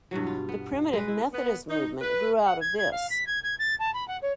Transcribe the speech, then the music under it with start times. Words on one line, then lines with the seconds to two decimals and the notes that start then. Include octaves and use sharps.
The Primitive Methodist movement grew out of this..
0.11 G2 B2 E3 F#3
0.27 F4
0.49 B3
0.93 G#3 B4
1.08 E4
1.33 B3
1.70 D#4
2.01 B4
2.45 F#5
2.61 G#6
2.78 G#6
2.91 F5
3.10 B6
3.27 G#6
3.43 G#6
3.59 A6
3.79 A5
3.94 B5
4.08 F#5
4.22 C#5